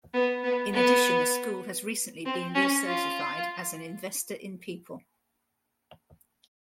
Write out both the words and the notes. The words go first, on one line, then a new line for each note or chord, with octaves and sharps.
In addition the school has recently been re-certified as an investor in people.
B3
B3
B3
C4
C#4
F4